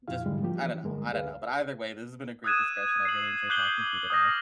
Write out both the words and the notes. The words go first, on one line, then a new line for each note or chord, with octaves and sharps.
just I don't know I don't know. But either way, this has been a great discussion. I really enjoyed talking to you today.
F2 A#2 E4 G4 F5
G#2 D3 G3 G#3
F3 A#3 G4
E3
G2 D3 G#3 A#3 A#4
D2 G#4 B4 F5
D#6 E6 F#6 G#6 D#7 E7
C7 F#7
D6 F#6 G6 C7 F#7 G7
D#6 F6 G6 A#6